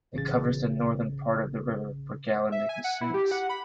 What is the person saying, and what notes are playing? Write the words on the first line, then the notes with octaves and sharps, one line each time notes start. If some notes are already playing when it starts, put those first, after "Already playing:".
It covers the northern part of the river Bregalnica sinks.
A1 C#3 A6
E5
G#5
F#5
E4
G4
F#5
B5